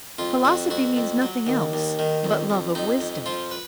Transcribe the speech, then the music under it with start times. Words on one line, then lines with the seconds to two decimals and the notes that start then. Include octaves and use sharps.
Philosophy means nothing else but love of wisdom.
0.19 F2 F4
0.45 F2 F#4
0.70 F2 F#4
0.96 F2
1.22 F#3
1.47 D#2
1.73 D#2
1.99 D#3
2.24 F2
2.50 F2
2.75 F2 D#4
3.00 F2
3.26 F3 F4
3.51 B4